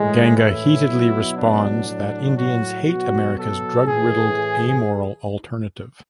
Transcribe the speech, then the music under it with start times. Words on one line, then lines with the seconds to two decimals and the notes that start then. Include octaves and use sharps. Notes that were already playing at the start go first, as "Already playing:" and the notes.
Ganga heatedly responds that Indians hate America's drug-riddled, amoral alternative.
Already playing: A2 E3 G#3
0.35 E4
0.86 B2 F#3
1.36 D4
1.86 A2 F#3
2.36 F#4
2.85 B2 F#3 F#4
3.35 A4
3.85 A2 E3 G#4